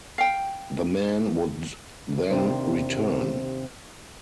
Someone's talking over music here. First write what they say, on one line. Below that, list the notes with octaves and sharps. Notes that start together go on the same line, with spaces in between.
The men would then return.
F5 G5
D#2 C3 D4 C5